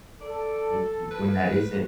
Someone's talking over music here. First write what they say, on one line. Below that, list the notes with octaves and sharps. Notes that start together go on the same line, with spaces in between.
w m when that isn't,
A4 D5
B4